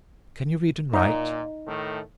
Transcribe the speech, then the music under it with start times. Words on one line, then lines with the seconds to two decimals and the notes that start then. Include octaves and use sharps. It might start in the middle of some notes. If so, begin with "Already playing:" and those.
"Can you read and write?"
0.93 A#2 D#4
1.67 A2 D#3 A3